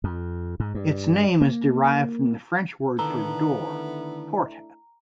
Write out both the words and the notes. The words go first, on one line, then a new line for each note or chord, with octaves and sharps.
Its name is derived from the French word for door, "porte".
F2
G#2
G2
A#3
D3 D#3 A3 B3 D4 E4 A4 A#5